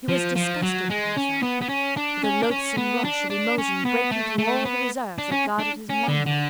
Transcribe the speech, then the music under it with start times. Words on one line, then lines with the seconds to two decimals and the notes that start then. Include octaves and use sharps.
He was disgusted with himself, with the loathsome rush of emotion breaking through all the reserves that guarded his manhood.
0.09 F3
0.36 F3
0.62 F#3
0.90 G#3
1.17 C#4
1.42 B3
1.61 B3
1.69 C#4
1.97 D4
2.24 C#4
2.43 D4
2.51 C#4
2.77 B3
3.05 D4
3.30 D4
3.58 C#4
3.85 B3
4.11 A3
4.38 A3
4.65 B3
5.18 D4
5.32 C#4
5.59 D4
5.90 C#4
6.08 D3
6.26 D3